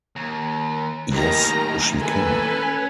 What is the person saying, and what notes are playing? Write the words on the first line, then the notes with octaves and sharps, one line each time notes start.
Yes she can.
D#2
D#2 A2 D#3 G4 A#5
A4 B4 G#5
C#4